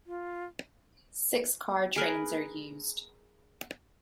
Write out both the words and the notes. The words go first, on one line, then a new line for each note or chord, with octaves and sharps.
Six-car trains are used.
F4
G#4 A#4 B4